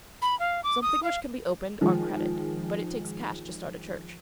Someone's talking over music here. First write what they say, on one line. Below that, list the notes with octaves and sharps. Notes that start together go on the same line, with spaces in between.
Something which can be opened on credit, but it takes cash to start a church.
B5
F5
D6
D#6
F5
D#3 F3 G#3